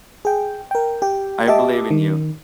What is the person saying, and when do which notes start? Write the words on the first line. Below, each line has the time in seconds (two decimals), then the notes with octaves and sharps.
I believe in you.
0.25 G#4 G5
0.71 A#4 G5
1.02 G4 G5
1.48 G4 D#5 E5 A5 D6
1.91 D#3